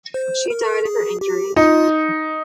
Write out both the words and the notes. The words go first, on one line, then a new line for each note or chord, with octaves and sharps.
She died of her injuries.
C5
A#4
G#4
G4
D#4 F4